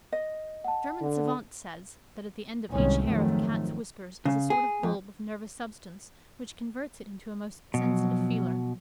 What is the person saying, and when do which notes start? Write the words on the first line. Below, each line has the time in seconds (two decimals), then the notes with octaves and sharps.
A German savant says, that at the end of each hair of a Cat's whiskers is a sort of bulb of nervous substance, which converts it into a most sensitive feeler.
0.12 D#5
0.64 F#5 A5
1.01 D3
2.70 C2 G#2 D#3 G#3 C#4
3.05 F2 G#2 D#3 F#3 A3
4.25 C#3
4.50 G#4
4.83 F2
7.74 B2 F3 F#3